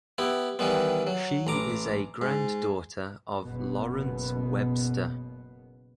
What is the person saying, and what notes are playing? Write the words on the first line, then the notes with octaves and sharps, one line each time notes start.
She is a granddaughter of Lawrence Webster.
B3 E4 G4
D#3 E3 G3 B3
F#3
A1 A#5 D6
G#2
F#1 B2 B3